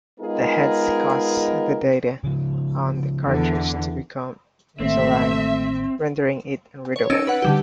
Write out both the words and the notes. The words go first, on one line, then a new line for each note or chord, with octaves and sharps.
The heads caused the data on the cartridge to become misaligned, rendering it unreadable.
G#3 B3 D#4 F4 G#4 A#4
C#3 F3
E2 D3
A1 D#3 A3 A#3 C4 E5
C#5
C#4 D#4 E6 A6 D7
B4 F#5
D3 G3 G4